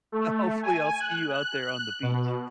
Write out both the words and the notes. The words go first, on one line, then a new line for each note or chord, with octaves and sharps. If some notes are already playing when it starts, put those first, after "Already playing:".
Hopefully, I'll see you out there on the beach.
A3
G#5
F#6
F#6
F#6
B2